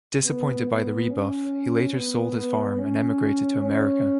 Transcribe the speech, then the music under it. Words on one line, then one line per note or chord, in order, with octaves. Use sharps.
Disappointed by the rebuff, he later sold his farm and emigrated to America.
B3
B3
C#4
B3
B3
C#4
C#4